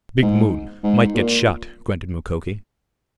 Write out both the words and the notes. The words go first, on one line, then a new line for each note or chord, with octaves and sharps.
"Big moon--might get shot," grunted Mukoki.
G#2
G#2
A#2